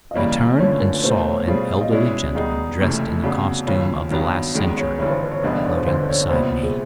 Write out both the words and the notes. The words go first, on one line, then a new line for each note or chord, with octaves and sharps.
I turned and saw an elderly gentleman, dressed in the costume of the last century, floating beside me.
D#5
C#3 E3 G3 A#3 C#4 D5
F#2 D3 F3 A3 C#4 C#5
A#4
B4
B2 F#3 A3 C4 C5
C#5
B2 G3 C4 F4 G#4 C#5
D#5
B2 G#3 C#4 E4 G#4 D5
D#3 G3 B3 D#4 G#4 D#5
F#1 F2 C3 E3 A3
F2 C#3 F#3 B3 D5
D#2 C#3 F3 C#5
G2 D#3 F#3 B3
F#2 D#3 G#3 B3 D5
C#5
G1 G2 E3 G3 C#5
C5
B4
C#5
E1 D2 D3 G3 B3 D#5
D5
C#5
C5
G1 F2 D3 C5
C#5
C2 A#2 G3 B3 C5
G#4